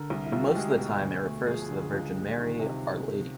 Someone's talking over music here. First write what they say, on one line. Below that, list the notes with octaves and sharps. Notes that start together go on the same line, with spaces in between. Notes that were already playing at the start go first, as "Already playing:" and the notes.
Most of the time it refers to the Virgin Mary, Our Lady.
Already playing: D3 A#4
C2
E4
C2 F4
F#4
G4
G#3 G#4
B2
D2
A3
F3 G#4
G#4
D3
G#4
C#2
G3
D#3
C3